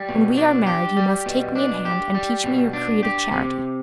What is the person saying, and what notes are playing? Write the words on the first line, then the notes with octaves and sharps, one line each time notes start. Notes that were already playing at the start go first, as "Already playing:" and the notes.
When we are married you must take me in hand and teach me your creed of charity.
Already playing: G3
B2
D4
G4
G3
B2
D4
G4
G3
B2
D4
G4
C3